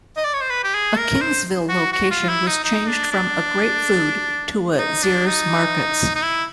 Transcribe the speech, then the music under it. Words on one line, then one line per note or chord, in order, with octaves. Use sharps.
A Kingsville location was changed from a Greatfood to a Zehrs Markets.
D#5
D5
C#5
C5
B4
G4
G#4
A#4
C5
F#4
F#4
F4
E4
D#4
D#4
D4
D4
D#4
D4
D#4
D#4
E4